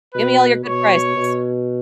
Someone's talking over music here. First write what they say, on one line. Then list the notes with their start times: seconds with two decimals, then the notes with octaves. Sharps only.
Give me all your good prices.
0.14 B2 B4
0.65 B2 C#5
1.16 B2